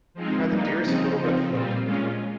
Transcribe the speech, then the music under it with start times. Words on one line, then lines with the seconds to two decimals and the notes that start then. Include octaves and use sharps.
He had the dearest little red float.
0.14 F3 G#3 C4 D#4
0.49 G3 A#3 D#4
0.82 C#3 F3 C4 D#4
1.16 F3 C4 D#4
1.50 A#2 G3 C4 F4
1.83 A#2 G#3 C#4 F4